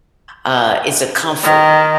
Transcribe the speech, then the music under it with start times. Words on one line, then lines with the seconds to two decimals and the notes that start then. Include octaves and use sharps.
uh, it's a comfort,
1.43 D#3